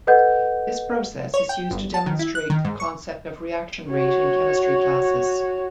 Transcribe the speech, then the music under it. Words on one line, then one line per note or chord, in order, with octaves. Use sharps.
This process is used to demonstrate the concept of reaction rate in chemistry classes.
A4 B4 D#5 F#5 G6
C#5
G5
G1
A5
D#3
E4
F#6
D#3
G#2
C#6
F#4 C#5